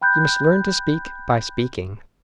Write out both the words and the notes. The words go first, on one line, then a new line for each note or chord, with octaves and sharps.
You must learn to speak by speaking.
G5 B5 F#6 G6